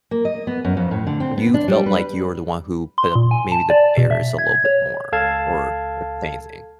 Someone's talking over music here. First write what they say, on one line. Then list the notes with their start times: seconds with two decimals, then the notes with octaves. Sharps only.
you felt like you were the one who put up maybe the barriers a little bit more, or if anything.
0.11 A#3
0.25 D#5
0.47 B3
0.65 F#2
0.77 F2
0.91 A2
1.07 D3
1.20 C4
1.38 B3
1.54 D4
1.68 G3
1.86 B4
2.98 C6
3.15 A#2
3.31 G#5
3.52 A5
3.70 D5
3.97 B2
4.11 E5
4.38 G#6
4.65 C#5
5.12 C#2 A4 F5 A5 G#6